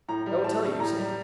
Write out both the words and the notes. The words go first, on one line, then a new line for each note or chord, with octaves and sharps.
"I will tell you," said he.
A2 A#5
G3
A2 A5
G3
A2 A#5
G3